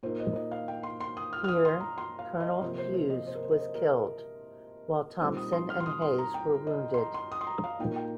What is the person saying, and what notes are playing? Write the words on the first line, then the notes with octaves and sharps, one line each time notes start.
Here Colonel Hughes was killed, while Thompson and Hays were wounded.
A#2 A#3 D#4 C5
D#5
D#5
F5
G5
C6
C6
D#6
F6
F6
D#6
C6
A#5
C6
F5
D#5
C3 F3 A#3 C5
C5
C5
D#5
C5
A#4
C5
D#5
C5
A#4
A#2 G3 C4 D#4 C5
D#6
C6
F6
C6
D#6
C6
A#5
G5
D#5
C6
A#5
C6
D#6
C6
A#5
F5
A#2 A#3 D#4 G5
G5